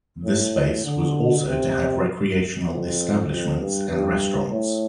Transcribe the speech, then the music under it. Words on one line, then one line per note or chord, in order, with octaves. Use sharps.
This space was also to have recreational establishments and restaurants.
A2
D3
C3
F2
F2
G2
G2
A2